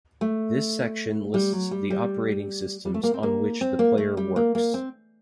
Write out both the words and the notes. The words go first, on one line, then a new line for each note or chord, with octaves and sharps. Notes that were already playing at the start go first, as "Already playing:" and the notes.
This section lists the operating systems on which the player works.
A3
G3
F#3
G3
G3
G3
A3
A#3
C4
A#3
C4
A#3
A3
G3
A#3
A#3
C4